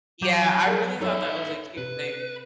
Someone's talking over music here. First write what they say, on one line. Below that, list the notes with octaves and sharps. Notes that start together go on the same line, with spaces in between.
Yeah, I really thought that was a cute thing.
F#3 D6 G6
G#4 A#4 F5
D#4 A4 C#5 E5 E6
C3 B4